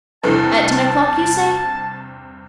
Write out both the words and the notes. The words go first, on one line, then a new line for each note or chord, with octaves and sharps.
"At ten o'clock, you say?"
E2 G2 C3 E4 A4 B4 A5